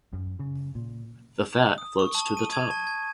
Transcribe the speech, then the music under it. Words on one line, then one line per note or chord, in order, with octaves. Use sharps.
The fat floats to the top.
F#2
C#3
A#2
D#6
C#6
A5
D#7
G#6
A5
G#6